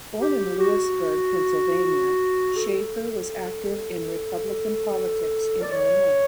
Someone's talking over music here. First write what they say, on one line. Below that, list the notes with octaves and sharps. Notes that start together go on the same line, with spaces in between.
Born in Lewisburg, Pennsylvania, Shaffer was active in Republican politics in Illinois.
G4
F#4
A4
D5
C#5